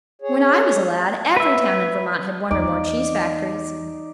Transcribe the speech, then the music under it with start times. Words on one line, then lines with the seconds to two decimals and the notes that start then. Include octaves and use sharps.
When I was a lad, every town in Vermont had one or more cheese factories.
0.22 G#4 C#5
1.37 B4 E5
2.51 E2 D#4 D5